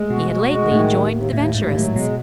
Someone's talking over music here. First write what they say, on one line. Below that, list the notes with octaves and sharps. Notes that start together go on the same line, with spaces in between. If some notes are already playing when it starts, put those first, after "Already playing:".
He had lately joined the Venturists.
Already playing: G#3 A3
B2 F#4
F#4
G#3
A2 D#3
D#2
D#2
D#2 A2
D#2 G#2
A2 F#3
B2 G#3